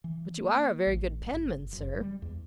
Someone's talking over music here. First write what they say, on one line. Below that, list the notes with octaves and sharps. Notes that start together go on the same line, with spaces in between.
'But you are a very good penman, sir.
E3
A#3
A1
G1
F#1
G3
E2